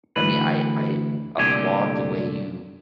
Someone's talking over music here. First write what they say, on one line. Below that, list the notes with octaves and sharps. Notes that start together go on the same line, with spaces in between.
I mean, I I applaud the way you
D2 E3 B4
C2 A#2 D3 A3 G4 G#5